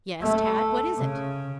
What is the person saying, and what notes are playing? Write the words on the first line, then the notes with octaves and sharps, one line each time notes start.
"Yes, Tad; what is it?"
A3
C#3